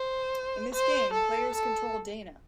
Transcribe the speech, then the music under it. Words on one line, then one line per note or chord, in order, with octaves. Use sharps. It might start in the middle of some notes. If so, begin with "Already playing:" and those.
In this game, players control Dana.
Already playing: C5
C5
A4
A4